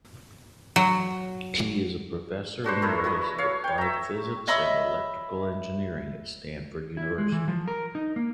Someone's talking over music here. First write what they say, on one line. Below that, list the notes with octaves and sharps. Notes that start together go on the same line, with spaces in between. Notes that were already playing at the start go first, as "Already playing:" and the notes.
He is a professor emeritus of Applied Physics and Electrical Engineering at Stanford University.
F#3
D4 F#4 B4 C5
A3 B3 E4 A#4
E4 F#4 B4 D#5
C#5 F5
C#5 G5
E5 A#5
C#5 D#5 E5 B5
E4
G#3
E3
F3
A#4
D#4
A#3